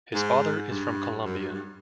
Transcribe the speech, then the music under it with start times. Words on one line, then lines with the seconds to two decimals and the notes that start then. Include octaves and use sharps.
His father is from Colombia.
0.14 G#2
0.70 G2
1.25 F#2
1.39 G2
1.52 G2